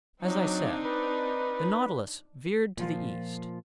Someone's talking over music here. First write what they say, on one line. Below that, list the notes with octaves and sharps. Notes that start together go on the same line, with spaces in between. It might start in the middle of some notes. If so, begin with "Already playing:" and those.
As I said, the Nautilus veered to the east.
F#3 C4 D4 D#4
B4
A#2 F3 F4